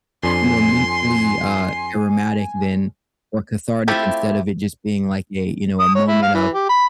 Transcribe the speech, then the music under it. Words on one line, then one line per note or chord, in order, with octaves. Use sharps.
be more mentally, uh, aromatic than or cathartic instead of it just being, like, a you know, a moment of,
F2 D4 G#5 C6
A3 C4 E4 F4 G4
D#6
C#5
E4
F5
E3
G4
B5